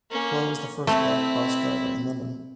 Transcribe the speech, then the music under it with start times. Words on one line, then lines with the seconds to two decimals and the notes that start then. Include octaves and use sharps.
Clough was the first Black bus driver in London.
0.10 A#3 C#4
0.87 A3 C4 E4